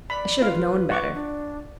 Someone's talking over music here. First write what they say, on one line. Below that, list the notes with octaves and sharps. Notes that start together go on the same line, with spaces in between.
I should have known better.
D5 B5
F4 B4 F5
F#5 C#6 D6
D4